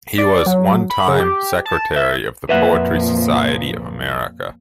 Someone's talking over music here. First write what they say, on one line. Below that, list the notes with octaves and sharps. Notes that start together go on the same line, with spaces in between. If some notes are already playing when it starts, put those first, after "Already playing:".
He was one time secretary of the Poetry Society of America.
D5
F#3
B5
C#3
G4
A5
E5
F2 A#2 F3 B4 E5 F#5